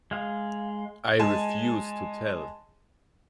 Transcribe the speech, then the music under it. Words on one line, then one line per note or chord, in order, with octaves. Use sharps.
I refused to tell.
G#3 F5
G#3 G#5 A5